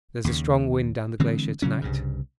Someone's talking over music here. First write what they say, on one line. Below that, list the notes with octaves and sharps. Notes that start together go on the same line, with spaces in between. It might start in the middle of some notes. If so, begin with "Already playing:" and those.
There is a strong wind down the glacier to-night.
D#2 C#3
D3 E3 G#3 C4
C#3 F#3 C#4
C2 G2 C#3